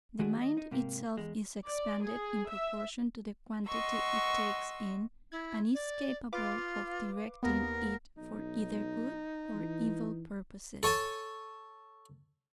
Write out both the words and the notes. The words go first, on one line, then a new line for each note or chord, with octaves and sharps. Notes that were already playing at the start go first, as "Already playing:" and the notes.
The mind itself is expanded in proportion to the quantity it takes in, and is capable of directing it for either good or evil purposes.
D#3 G#3 A3 D4 F#4 G#4
D#2 D#5
D#4
G#2 C3 A#3
E2 G#3
D5
G#4
E5
D#5 F#5 C6 C#6 E6
E4 G#6
D5
F4 B4 F5 D6
D#2 A#3 B3 A#4
B1 D#4
E3
A4 C#5 G#5 A5